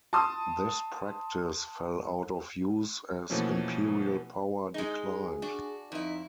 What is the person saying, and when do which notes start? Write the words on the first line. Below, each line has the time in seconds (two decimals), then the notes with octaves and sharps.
This practice fell out of use as imperial power declined.
0.13 A5 C6 D#6
3.30 B2 E3 F3 A3 A#3 C#4
4.74 G#3 D#4 G#4
5.42 D4 F#4
5.92 F2 D#4 E4